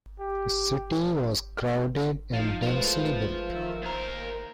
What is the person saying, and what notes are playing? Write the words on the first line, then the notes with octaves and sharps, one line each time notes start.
The city was crowded and densely built.
G4
F3 D#4 F5
G#3 A3 F4 B4 C5
D#3 E5
D#2 A#4 C5